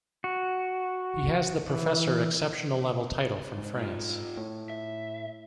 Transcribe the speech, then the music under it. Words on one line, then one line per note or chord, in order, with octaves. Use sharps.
He has the Professor exceptional level title from France.
F#4
E3
G#2
C3 F4
A2
E5